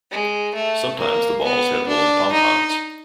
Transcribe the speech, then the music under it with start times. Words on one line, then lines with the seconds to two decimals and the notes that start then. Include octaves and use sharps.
Sometimes the balls had woolen pompons.
0.11 G#3
0.54 A3
0.99 A#3
1.44 B3
1.88 D4
2.32 D#4